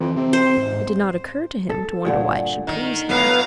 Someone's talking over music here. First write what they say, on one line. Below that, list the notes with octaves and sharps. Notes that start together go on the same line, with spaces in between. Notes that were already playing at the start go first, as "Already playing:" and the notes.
It did not occur to him to wonder why it should please him.
F2 E3
C3 C4
C5
G#2
A4
G2 A#2 D3
D#3
A2 F#3 B3 F5 A#5